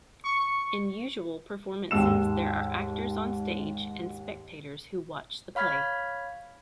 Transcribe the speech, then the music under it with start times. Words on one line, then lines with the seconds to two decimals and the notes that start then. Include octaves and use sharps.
In usual performances there are actors on stage and spectators who watch the play.
0.25 C#6
1.91 D#2 G#2 E6 E7
5.55 C#5 F5 B5 F6 G#6 B6